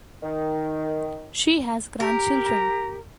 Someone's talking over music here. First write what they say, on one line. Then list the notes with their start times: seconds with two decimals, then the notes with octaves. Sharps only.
She has grandchildren.
0.23 D#3
2.00 G4 A#4
2.46 A#5